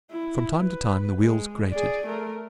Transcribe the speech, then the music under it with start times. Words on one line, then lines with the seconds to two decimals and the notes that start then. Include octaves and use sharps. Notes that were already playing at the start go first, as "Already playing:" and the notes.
From time to time the wheels grated.
0.11 E4
0.58 B4
1.21 G#3
1.72 G#4 D5
2.07 A3 A#4